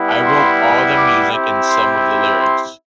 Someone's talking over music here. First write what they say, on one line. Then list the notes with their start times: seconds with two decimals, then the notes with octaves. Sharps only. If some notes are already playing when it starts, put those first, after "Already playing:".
I wrote all the music and some of the lyrics.
Already playing: G3 B3 E4
0.25 C6
0.96 D6
1.32 C4 E4 G4
1.67 C6
2.38 C6